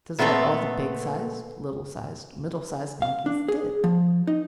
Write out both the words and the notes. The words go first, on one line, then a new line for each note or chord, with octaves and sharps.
This is what all the big-sized, little-sized, middle-sized monkeys did.
A#2 A3 B3 C4 A4
F5
D4
G#4
F3
D#4